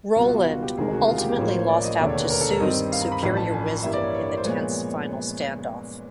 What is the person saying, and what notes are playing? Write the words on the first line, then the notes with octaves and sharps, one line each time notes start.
Roland ultimately lost out to Soo's superior wisdom in the tense final standoff.
C#2 B2 G3 B3 F4
F#4
F4
F#4
G4
E1 D2 C3 D#3 G#3 G#4
F#4
F4
G4
G4
A1 A2 F3 A#3 C#5
C5
C#5
D5
D#5
E1 D#2 D3 D5
C#5
B4
A#4
A4
A#4
G2 D#3 G3 C4 D#5
F5
A#5
B5
A1 A2 F3 B5
A5
G#5
G2 E3 G3 A#3 E5
D5
C#5
C#5
D5
C5
A#2 F3 G#3 B3 C#5